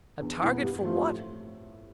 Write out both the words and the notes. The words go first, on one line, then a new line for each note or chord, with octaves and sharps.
A target for what?...
E2 D4
B2 B3 E4
G2 G4
F3 A3 C4 F4 G4
A2